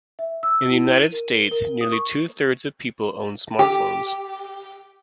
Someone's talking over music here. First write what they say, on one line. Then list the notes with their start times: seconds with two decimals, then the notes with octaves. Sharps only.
In the United States, nearly two-thirds of people own smartphones.
0.19 E5
0.43 E6
0.70 E4
0.94 D#7
1.12 A#4
1.36 G7
1.51 A#4
1.81 D#6
1.92 C#6
3.59 G4